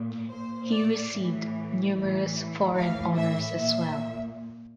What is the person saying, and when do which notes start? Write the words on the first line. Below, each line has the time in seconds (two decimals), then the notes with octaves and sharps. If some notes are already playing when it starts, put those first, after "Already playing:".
He received numerous foreign honours as well.
Already playing: A#2
0.30 A#2 C5
0.71 D5
1.12 A2 E3
1.94 A2 E3
2.76 A2 E3 F5
3.16 E5
3.57 A#2 E5